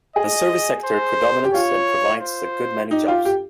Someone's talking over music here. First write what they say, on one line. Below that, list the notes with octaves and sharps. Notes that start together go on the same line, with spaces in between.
The service sector predominates and provides a good many jobs.
G#4 D#5
C5
G4
F4 C#5
C5
D#4 G4
F4
G4